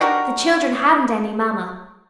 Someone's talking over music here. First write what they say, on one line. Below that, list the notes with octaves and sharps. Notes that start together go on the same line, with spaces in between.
The children hadn't any Mamma.
D4 F#4 G4 A#4